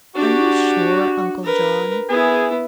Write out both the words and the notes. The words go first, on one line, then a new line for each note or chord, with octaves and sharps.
"Are you sure, Uncle John?"
D4 F#4 G4
A#4 B4
B3 E4 G#4